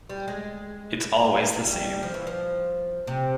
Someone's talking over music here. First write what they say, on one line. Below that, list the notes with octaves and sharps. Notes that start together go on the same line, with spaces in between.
It’s always the same.
G3
G#3
G3
F3
E3
F3
C3